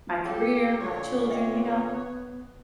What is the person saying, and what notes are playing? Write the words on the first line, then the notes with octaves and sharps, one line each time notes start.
my career, my children, you know?
C4 F4 G4 A4 C#5 F5
A#2 D3 F4 F#4 C#5
D#5 E5 G5
B3